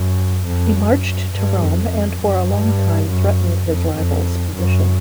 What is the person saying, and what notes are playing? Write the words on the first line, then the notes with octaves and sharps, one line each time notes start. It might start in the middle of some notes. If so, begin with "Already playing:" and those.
He marched to Rome and for a long time threatened his rival's position.
Already playing: F#2
F2
F#2
G2
F2
F#2
G2
F#2
F2
F2
F#2